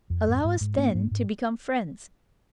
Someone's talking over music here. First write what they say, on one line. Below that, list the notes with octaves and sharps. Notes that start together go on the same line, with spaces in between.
Allow us, then, to become friends.
F2
G#2
G#2
G#2
G#2 A#3 D4
G#2
G#2